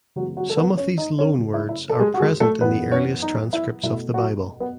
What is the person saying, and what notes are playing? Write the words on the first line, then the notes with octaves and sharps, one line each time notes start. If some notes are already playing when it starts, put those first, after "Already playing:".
Some of these loan words are present in the earliest transcripts of the Bible.
C#3 E3 F#3 G#3 B3 F#4
F#3 F#4
A4
B3 B4
C#4 C#5
D#4 D#5
C#4 C#5
C#3 F#3 A3
E4
E4
A4
G#3 G#4
F#4
G#3 G#4
A3 A4
F#2 E3 B3 B4
C#4 C#5
D#4
E4
B2 A3 E4
F#3 F#4
B3 B4